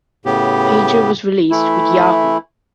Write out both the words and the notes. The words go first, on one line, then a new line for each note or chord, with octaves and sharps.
Pager was released, with Yahoo!
A2 C#3 B3 G4
E3 A3 E4